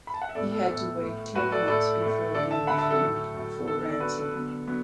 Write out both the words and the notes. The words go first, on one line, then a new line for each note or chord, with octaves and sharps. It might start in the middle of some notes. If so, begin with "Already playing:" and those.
He had to wait ten months before being freed for ransom.
B5
A5
F#5
E5
A2 E3 B3 A4 D5
A4
A2 E3 B3 A4
A2 A3
A2 A3 F#4 B4
A4 D5
A2 A3 A4 D5
A2 A3
D3 A3 A4 D5
E5 A5
D3 A3 F#5 B5
E5 A5
A4
A2 F#3 A3
A2 F#3 A3
D3 B3 A4
A4
A4 D5
D3 B3 F#4 B4
A4
D3 F#3 B3
D3 F#3 B3